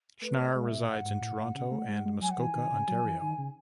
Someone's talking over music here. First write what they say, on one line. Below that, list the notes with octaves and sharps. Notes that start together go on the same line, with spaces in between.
Schnarre resides in Toronto and Muskoka, Ontario.
A3 B4
A3 C#5
D#5
G#3
F#5
E5
B2
A2 F#5
G#2
A2
A2
C#3
A3
G#3
G#3
F#3 G#5
F#5
E3 G#5
D#3
C#3
F#3
E3
D#3
C#3